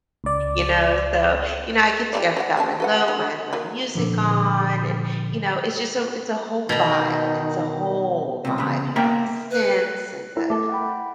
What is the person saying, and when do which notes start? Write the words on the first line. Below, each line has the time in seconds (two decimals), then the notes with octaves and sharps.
You know, so you know, I get that yeah, got my low my my music on, and, you know, it's just so it's a whole vibe it's a whole vibe. You've got the scents and the
0.24 C#2 D5
2.13 G3 G#3 D5
2.37 F#4 D5 F#5
2.57 C#3 G#4 A5
2.80 F#4 B4 F#5
3.08 F#5 G#5
3.53 D#3 F#3 A#3
3.95 A#2 D3 F3
6.69 B2 D#3 D#4 G5 A#5
8.45 C#2 C3
8.58 C#3 B3
8.96 A#3 A#4 E5 G5 A#5
9.51 B4
10.37 E4 A#4
10.50 A3 A4 D6
10.69 F#5 G5 B5